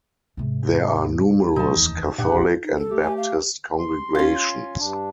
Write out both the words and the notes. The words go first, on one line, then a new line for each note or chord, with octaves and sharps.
There are numerous Catholic and Baptist congregations.
G#2 C3
B2 F#3 D#4 A5
F1 D#2 E3
F2 A#2 D4 G4 F#5
A#1 E2 C#4
D#4
A4
A3 G4
G#5
F5
C6
C#4 F4
G2 D4